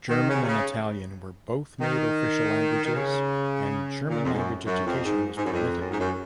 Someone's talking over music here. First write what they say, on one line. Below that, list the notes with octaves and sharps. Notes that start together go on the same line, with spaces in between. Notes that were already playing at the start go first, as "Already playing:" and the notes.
German and Italian were both made official languages, and German-language education was permitted.
D#3
C#3
C3
C#3
D#3
D#3
C#3
A#2
F2
G#2
F#2
F#2
F2
G#2
G#2
F#2
F2
F#2
G#2
F#2